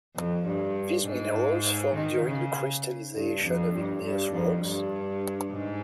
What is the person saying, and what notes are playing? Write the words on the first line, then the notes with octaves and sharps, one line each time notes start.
These minerals formed during the crystallization of igneous rocks.
F2
G2
G#2
D#3
C#3
G2
F2
G2
G2
F2
G2
G#2